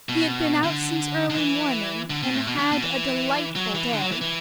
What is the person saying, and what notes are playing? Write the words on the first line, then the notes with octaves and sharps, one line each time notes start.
He had been out since early morning, and had a delightful day.
B2
D3
D3
E3
D3
B2
A2
B2
D3
B2
E3
F#3
E3
D3
F#3
E3
E3